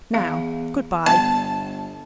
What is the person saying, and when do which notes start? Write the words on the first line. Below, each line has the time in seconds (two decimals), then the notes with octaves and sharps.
Now good-bye.
0.14 E2 F5
1.06 G1 B3 A5